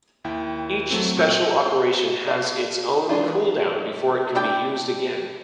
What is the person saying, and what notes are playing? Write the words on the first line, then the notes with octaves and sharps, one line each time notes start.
Each Special Operation has its own cooldown before it can be used again.
D#2 E4 G5
F#3 A3 C4
A#2 F#4 A4 E6 C#7
C5
D5 F5
E3 G#3 D4 F4
D4 E4 D5 G5